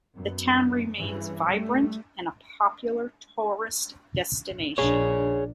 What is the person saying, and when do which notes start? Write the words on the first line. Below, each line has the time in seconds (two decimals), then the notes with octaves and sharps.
The town remains vibrant and a popular tourist destination.
0.16 F#2 B3
0.97 G2 C#3 E3
1.50 G3 A3
4.78 A#1 D4 G#4 C#5